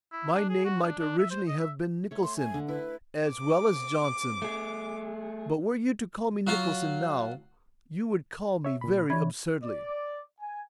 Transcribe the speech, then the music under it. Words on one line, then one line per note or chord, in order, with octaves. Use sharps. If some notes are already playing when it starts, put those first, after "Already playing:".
My name might originally have been Nicholson, as well as Johnson; but were you to call me Nicholson now, you would call me very absurdly.'
E4
D4
G#4
F#4
D4
D4
E5
C5
D#5
E5
A3 C#5
C6
G#5
D3
E4 B4
D6
A3 G#4
F#3 F4 F#4
C#5 E5
A#2 B5
E3 D4 C#5 B5 G#6
D5
G#5